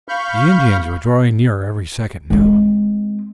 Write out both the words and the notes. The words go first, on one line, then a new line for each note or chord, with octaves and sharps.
The Indians were drawing nearer every second now.
F5 B5 C#6 F6 G6
G#3 C4